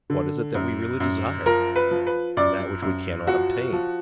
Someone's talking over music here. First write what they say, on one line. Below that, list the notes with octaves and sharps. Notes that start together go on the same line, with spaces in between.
What is it that we really desire?--that which we cannot obtain.
D3
F#2
F#2
F3 A#4
B4
F3
B4
F#2 D5
F#2
F3 F#4
F3